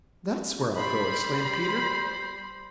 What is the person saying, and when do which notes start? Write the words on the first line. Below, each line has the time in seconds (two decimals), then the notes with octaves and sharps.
"That's where I'll go!" exclaimed Peter.
0.78 G3 C5 B5